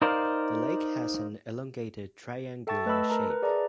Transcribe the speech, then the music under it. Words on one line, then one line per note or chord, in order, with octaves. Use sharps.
The lake has an elongated triangular shape.
D#4 A#4 C5 D5 F5
A4 E5 G5 A5 C#6 A6
A3 B4 D#5 A5 B5 E6
A#4 A#5
B4
G#4 D5 E5 A5 A#5